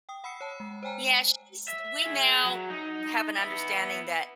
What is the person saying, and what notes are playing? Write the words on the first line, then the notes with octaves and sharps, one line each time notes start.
Yeah, she’s we now, mm, have an understanding that,
G5 D#6
F#5 B5 D#6 E6 C7 C#7
C#5 A5
G#3
C5 C#5 G5 G#5 A#5
E5
G#4 E5
F#3
D#4
B3 E4